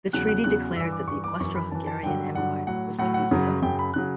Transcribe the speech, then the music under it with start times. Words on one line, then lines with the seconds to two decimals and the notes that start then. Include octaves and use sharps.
The treaty declared that the Austro-Hungarian Empire was to be dissolved.
0.13 E2 C#3 F#3 F#6
0.29 F#6
0.44 E2 C#3 F#3 F#6
0.76 G2 E3 E6
0.92 D6
1.08 G2 E3 C#6
1.24 D6
1.39 F#2 E3 C#6
1.55 B5
1.71 F#2 E3 A5
1.87 A5
2.03 G2 D3 F#3 G5
2.35 G2 D3 F#3 F#5
2.67 A2 F#3 F#5
2.99 A2 F#3 F#5
3.14 F#5
3.31 F#2 C#3 F#3
3.62 F#2 C#3 F#3 G5
3.79 B5
3.94 C#3 F#3 F#6